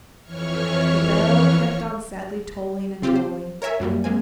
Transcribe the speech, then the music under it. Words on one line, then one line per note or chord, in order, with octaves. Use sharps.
The bell kept on sadly tolling and tolling.
F2 E3 C#5 C#6 F6
C#3 C4 F4 G4
C5
A#4 C#5 E5 G#5
F#2 F#3 G3 A#3
G#3 A#3 C4 G#5